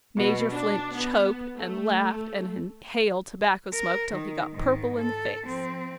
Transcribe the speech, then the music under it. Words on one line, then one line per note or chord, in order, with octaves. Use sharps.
Major Flint choked and laughed and inhaled tobacco smoke till he got purple in the face.
B2
D4
B3
A3
A#4
D#3
G#2 D#3
A4
F3 C4